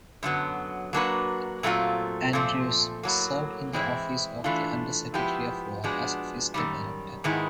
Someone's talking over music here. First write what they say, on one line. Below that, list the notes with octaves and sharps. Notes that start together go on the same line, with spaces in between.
Andrews served in the office of the Under-Secretary of War as a fiscal director.
F#2 D3 F#3 B3
F#3 A#3 D4 F#4 B4
A#2 F#3 A3 C4 F4
A#2 F3 A3 C4
A2 F#3 A#3
E3 G#3 C4 E4
E3 A3 D4 F4
F3 G#3 B3 E4 G4
F3 G#3 B3 D4 F#4
F#2 D#3 G3
G#2 D#3 G#3 B3 E4